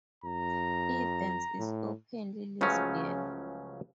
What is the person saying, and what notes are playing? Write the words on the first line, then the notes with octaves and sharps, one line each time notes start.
Evans is openly lesbian.
F2 A#5
A2
C#2 C#3 F3 F#3 A3 C#4